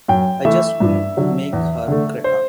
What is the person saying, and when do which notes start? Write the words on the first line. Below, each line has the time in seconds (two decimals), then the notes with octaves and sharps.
'I just couldn't make her crack up.
0.08 F#2 G5
0.45 E3 A3 E5
0.80 G2
1.17 D3 F#3
1.53 E2
1.88 D3 A3
2.24 C5